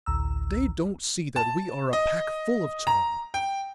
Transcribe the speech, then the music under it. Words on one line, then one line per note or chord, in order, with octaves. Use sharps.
They don't see that we are a pack full of charm.
A1 D2 A#5 E6
A5
D#5
A#5
G5